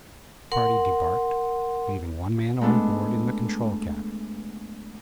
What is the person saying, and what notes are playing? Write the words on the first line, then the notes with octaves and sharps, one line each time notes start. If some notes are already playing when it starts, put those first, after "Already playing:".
The party debarked, leaving one man on board in the control cabin.
A#4 F#5 C6
G#3 A3 B3 D4